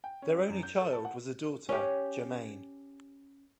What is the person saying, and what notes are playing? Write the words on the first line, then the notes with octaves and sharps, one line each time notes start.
Their only child was a daughter Germaine.
G5
C#4
G3
F#2
G6
A4
A5
F#5
C#4 G4